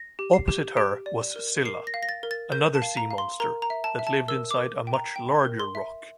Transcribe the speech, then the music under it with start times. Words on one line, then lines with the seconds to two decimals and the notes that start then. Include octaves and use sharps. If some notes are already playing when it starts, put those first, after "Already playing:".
Opposite her was Scylla, another sea monster, that lived inside a much larger rock.
Already playing: A#6
0.19 G4
0.33 C7
0.48 G4
0.77 G4 D7
1.06 D5
1.36 A#4
1.65 A#4 C7
1.87 A#6
1.94 F5
2.03 A#6
2.09 A6
2.23 A#4
2.31 A6
2.52 A#4 G6
2.75 A5
2.82 F5
2.97 A#5
3.11 F5
3.18 C6
3.40 A#4 A#5
3.62 A#5
3.70 E5
3.84 A5
3.99 E5
4.07 A5
4.28 A#4 E6
4.51 D6
4.57 A#4
4.87 G5
4.94 A#5
5.16 G5
5.45 A#4
5.60 C6
5.75 E5